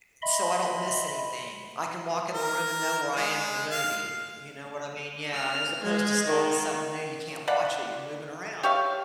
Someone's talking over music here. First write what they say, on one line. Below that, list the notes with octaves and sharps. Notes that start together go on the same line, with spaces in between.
i so I don't miss anything. I can walk in the room and know where I am in the movie, you know what I mean? Yeah, as opposed to starting something new, you can't watch it, you're moving around.
D#5 E5 B5 C6
A#4
G#3
F5
F6
G#3
D#3
D5 F5 F#5 B5
G4 C#5 E5 F5